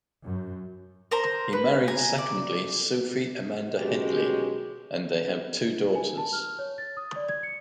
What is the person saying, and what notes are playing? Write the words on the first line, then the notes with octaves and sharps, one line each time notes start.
He married secondly Sophie Amanda Hedley, and they have two daughters.
F#2
A#4 C5 A#5
B4
G#5 A#5
D5
B2 F#3 G#3 C#4 G4
G#5
A5
F6
C#5
A6
D#6
D5
G#6
C#7